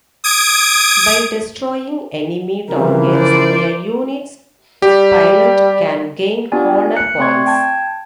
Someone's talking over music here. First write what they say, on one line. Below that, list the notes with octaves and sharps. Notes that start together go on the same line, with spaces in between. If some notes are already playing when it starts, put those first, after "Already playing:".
By destroying enemy targets, a unit's pilot can gain Honor Points.
D#6 G#6 D7
C#3 E3 F3 G3 C4 A#4
C5 D5
G3 G4
B3 D4 F4 G4 D5 G#5
F#6 C#7
A3 C4 D5 C6 C#6 G#6
G5 A5 G#6